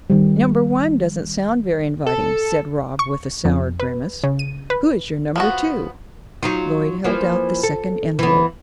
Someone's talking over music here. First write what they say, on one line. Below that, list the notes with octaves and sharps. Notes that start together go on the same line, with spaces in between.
"Number one doesn't sound very inviting," said Rob, with a sour grimace. "Who is your number two?" Lloyd held out the second envelope.
D#3 G3
A4
C#6
F2
B4
C#3
D#7
B4
F3 B3 F#4
F#3 D#4 F4
E3 F3 A#3
A4
E3 B3